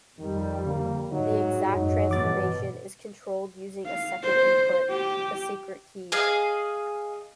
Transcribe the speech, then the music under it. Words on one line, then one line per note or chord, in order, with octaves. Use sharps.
The exact transformation is controlled using a second input - the secret key.
F2 D#3 G3
D3 A#3
G#2 F#3 D#4
F#2 F#3 D#4
G2 B2 E3 D6 A6
F5
C5
G4
G#4 D#5 F5